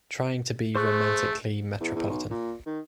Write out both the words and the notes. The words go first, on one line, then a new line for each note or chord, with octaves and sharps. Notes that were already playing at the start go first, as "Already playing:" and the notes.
Trying to be romantically metropolitan.
A3 G#4 C5 C#6 F#6
E2
E2
B1
A#2
D#3